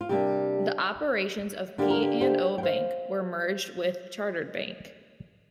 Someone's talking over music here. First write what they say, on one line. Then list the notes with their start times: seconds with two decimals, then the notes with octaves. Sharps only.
The operations of P and O Bank were merged with Chartered Bank.
0.01 F4
0.09 C3 G3 A#3 D4 G4
1.78 D3 A#3 D4 G4
1.90 A#4
2.02 G4
2.21 G4 C5
2.58 G5
2.63 C5 F5